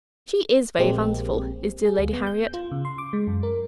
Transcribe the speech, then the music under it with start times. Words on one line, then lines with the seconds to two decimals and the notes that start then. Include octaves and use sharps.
She is very fanciful, is dear Lady Harriet!
0.79 A#1 G#3 A#3 C4 G4
1.85 G#4
1.98 D2
2.13 B3
2.27 G6
2.54 F4
2.71 C#3
2.85 C6
2.98 D6
3.13 G#3
3.27 F#2
3.43 A#4